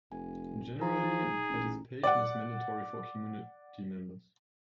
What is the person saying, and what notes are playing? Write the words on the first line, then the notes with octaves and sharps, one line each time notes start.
Generally, participation is mandatory for community members.
F1 G#5
F3 D#4 G#4 A#5
A1
D5 F#5